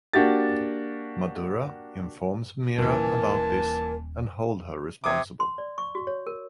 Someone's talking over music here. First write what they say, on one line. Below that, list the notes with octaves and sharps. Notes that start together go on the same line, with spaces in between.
Madhura informs Meera about this and hold her responsible.
A#3 D4 F#4 G4 A6
D#1 A#2 E3 A#4 A5
C3 D6 D#6 G#6
C6
D5
C#6
F#4
C#5
A#4